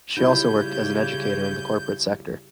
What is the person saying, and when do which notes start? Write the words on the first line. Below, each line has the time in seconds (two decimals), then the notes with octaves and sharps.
She also worked as an educator in the corporate sector.
0.17 C#3 F#3 G3 E4 F4 G6